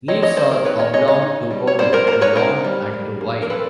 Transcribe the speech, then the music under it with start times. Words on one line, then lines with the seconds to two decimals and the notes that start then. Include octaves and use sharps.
Leaves are oblong to oval, to long and to wide.
0.08 C4 C#5 D#5
0.22 C#5 D#5
0.36 D#4 C5 D5
0.51 A#4 C5
0.65 D#3 B4 C#5
0.79 C#5 D#5
0.93 G#3 C#5 D#5
1.08 C#5 D#5
1.22 D#4
1.51 G3
1.67 C#5
1.79 G3 C5 D5
1.93 A#4 C5
2.07 A#3 A#4 C5
2.21 B4 C#5
2.36 D#4 A#4 C5
2.64 G3
2.94 G3
3.21 A#3
3.42 A#4
3.50 C4 A4 B4